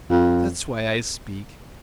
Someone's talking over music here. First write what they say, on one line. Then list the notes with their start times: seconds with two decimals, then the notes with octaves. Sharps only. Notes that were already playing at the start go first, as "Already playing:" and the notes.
That's why I speak.
0.10 F2